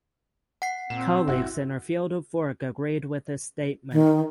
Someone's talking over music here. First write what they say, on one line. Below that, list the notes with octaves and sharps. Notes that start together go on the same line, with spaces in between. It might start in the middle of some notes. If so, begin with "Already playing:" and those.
Colleagues in her field of work agreed with this statement.
F#5 C7
A#2 C4 E7
G1 E4 F#4
D#3